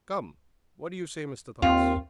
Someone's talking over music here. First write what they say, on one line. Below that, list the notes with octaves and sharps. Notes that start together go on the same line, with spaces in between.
"Come, what do you say, Mr. Thomas?"
D#2 C4 F4